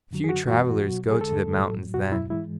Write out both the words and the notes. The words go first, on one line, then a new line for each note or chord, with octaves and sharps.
Few travellers go to the mountains then.
F#2 D3 F#3
G#4
F#4
F#2 E3 G#3 F#4
B2 F#3
G#4
E2 D3 G#3 A4
A2 F#3
E2 B2 F#3 F#4
E4
G#2 E3 G#3 E4